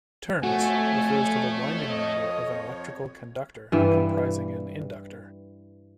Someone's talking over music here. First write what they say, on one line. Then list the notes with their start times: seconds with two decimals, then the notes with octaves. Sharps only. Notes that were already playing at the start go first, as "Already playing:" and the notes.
"Turns" refers to the winding number of an electrical conductor comprising an inductor.
0.43 F2 F3 A3 F#4 C#5 G#5
1.88 D#5
3.72 G2 E3 G5